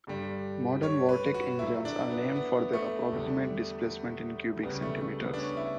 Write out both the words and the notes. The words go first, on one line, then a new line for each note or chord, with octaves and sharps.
Modern Vortec engines are named for their approximate displacement in cubic centimetres.
G2 D3 G3
C#5
B4
F#4
A2 F#3 E4
D4
B3
B3
A3
E2 D3 G3
D2 C#3 G3 B3
A3
A3
B3
D4
C#4
E4